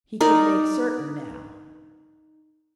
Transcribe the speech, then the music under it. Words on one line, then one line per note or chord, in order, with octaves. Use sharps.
He could make certain now.
D#4 A#4 D5